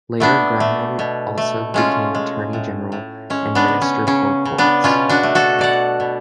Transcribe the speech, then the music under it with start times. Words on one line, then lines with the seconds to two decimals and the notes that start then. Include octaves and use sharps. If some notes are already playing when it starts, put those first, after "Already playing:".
Later, Graham also became Attorney General and Minister for Courts.
0.20 A3 B3 D4
0.60 A3
0.99 B2
1.38 A3
1.74 G#3 C#4 F4
2.15 G#3
2.53 A2
2.92 A2
3.30 G#3 C#4
3.55 B3 D4
3.68 C#3
3.82 C#4
4.07 C#3 C#4
4.45 C#3
4.58 B3 D4
4.84 B2 C#4 F4
5.09 D4 F#4
5.23 A3
5.35 F#4 A4
5.59 B2 D5 F#5
6.00 B2